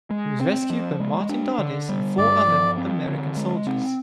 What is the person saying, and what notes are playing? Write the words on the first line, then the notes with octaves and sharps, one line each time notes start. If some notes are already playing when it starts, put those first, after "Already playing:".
He was rescued by Martin Dardis and four other American soldiers.
G#3
C4 C5
F3
G#3
D4
D3
G3
G2 D5
F3
C4
D3
G#3
C4